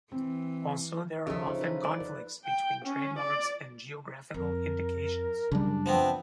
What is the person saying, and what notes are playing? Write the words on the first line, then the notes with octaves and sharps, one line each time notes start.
Also, there are often conflicts between trademarks and geographical indications.
E3 C4
C#3 F3 A4 E5
D#4
B4
D5
B4
G5
C#4
D5
F2 A#4
F#2 C#3 G3 D4
F3 B3 C4